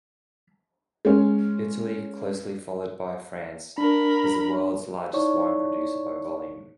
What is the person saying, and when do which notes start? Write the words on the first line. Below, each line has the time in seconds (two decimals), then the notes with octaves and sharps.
Italy, closely followed by France, is the world's largest wine producer by volume.
1.05 G#3 C#4
3.78 D4 A#4 B5
5.13 D#4 E4 C#5 D5 C#6